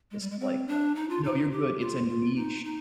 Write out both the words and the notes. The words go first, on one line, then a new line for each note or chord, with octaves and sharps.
It's like a no, you're good, it's a niche.
G#3
G3
G#3
C4
D4
D#4
F4
D#4
G4
F4
F4
D#4
D#4